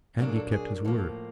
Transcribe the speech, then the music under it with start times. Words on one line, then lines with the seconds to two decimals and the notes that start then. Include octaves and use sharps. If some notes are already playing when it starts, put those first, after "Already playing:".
And he kept his word.
0.19 A#2 F#3 A#3 D4 A#4
0.28 G#4
0.36 A4
0.52 G#4
0.85 A2 F3 A#3